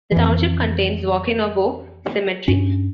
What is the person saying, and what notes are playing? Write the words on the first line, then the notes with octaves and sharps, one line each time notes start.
The township contains Waukenabo Cemetery.
F2 E3
G2 C#4